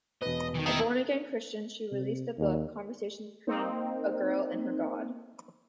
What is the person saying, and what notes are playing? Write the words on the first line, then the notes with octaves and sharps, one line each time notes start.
A born-again Christian, she released a book, "Conversations Between a Girl and her God".
E1 B4 D#5
D#3 E3
D#3 E4
C3
D#2
A#3 C4 D#4